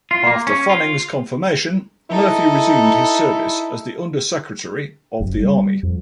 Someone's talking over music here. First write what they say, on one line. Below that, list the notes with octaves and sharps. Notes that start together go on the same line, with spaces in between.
After Fanning's confirmation, Murphy resumed his service as the Under Secretary of the Army.
F4
A#3
C#4
F4
D#4 E4 A4
F#1
G3
F2